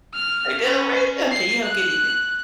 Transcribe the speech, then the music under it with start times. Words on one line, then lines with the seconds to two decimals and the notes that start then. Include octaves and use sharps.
I know, right? Okay, you have a good evening.
0.14 F6
0.62 C#4
1.31 C7
1.64 F#6